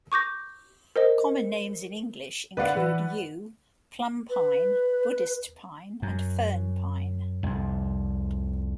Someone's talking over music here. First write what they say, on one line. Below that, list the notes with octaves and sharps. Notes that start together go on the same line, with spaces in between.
Common names in English include yew plum pine, Buddhist pine and fern pine.
C#6 D6 G6 A#6
A#4 C5 D#5
D3 B4 D5 F5 F#5
E3
B4
F#2
C2 F2